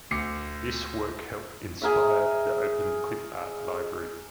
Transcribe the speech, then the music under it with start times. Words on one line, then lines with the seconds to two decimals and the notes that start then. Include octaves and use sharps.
This work helped inspire the Open Clip Art Library.
0.11 D2 D6 C7 C#7
1.82 G#4 A#4 E5